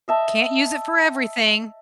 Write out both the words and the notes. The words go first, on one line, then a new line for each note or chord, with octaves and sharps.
Can't use it for everything
D#5 E5 A5